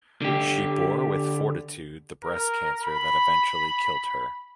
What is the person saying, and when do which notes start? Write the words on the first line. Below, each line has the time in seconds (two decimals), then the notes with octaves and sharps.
She bore with fortitude the breast cancer that eventually killed her.
0.22 D3 G4
2.24 A#4
2.83 B5